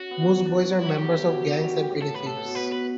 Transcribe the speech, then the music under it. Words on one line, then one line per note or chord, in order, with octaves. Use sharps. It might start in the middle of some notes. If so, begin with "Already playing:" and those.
Most boys were members of gangs and petty thieves.
Already playing: C#4 F#4
B3
C#4
D4
C#4
B3
E4
A3 F#4
G3 G4
F#3
E3
F#3
G3
G3
A2
A2 A4
B4
A2
A4
B2
A2
B2 B4
B4